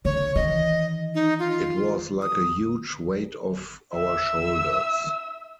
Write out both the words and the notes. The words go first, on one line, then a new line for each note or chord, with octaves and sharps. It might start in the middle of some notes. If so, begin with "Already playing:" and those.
It was like a huge weight off our shoulders.
D3 C#5
D#3 E3 D#5
D#4
F4
D#6
E5 E6